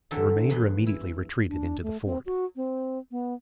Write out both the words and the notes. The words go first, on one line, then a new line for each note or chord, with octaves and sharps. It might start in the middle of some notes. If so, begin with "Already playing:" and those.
The remainder immediately retreated into the fort.
D3 E3 F#3 C4 A4 E5
E2 G2 B4 C6
E4
D4
A3
C4
F#4
C4
B3